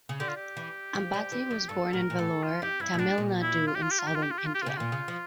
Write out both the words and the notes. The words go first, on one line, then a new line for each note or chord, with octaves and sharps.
Ambati was born in Vellore, Tamil Nadu in southern India.
C#3
D3 G4
F4
G4
E3
F3
G3
E3
F2
G2 A4
A2 A#4
A#2
A2 A4
F4
F2 G4
G2 E4
A#2
A2 D4
A#2
E4
F4
G4
F4
G4
F4
G4
F4
G4
F4
G4
F4
G4
F4
C#3
G4
A#2 F4
C#3
F3